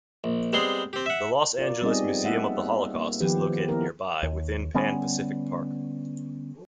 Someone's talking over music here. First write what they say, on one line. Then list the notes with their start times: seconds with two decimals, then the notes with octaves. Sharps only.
The Los Angeles Museum of the Holocaust is located nearby, within Pan Pacific Park.
0.24 A#1
0.53 G3 G#3 B3 C4 G#4 C6
0.93 C4 G4
1.06 E5 F#5
1.58 F4 A#4 D5
1.82 G3 B3 C4 D#4 G#4 D#5
2.24 A#3 E5 F#5
2.95 A#3
3.20 D#3 F3 B3 G4 B4
3.69 B3 E4 A#4
4.23 D#2
4.74 D3 G3 B3 C#4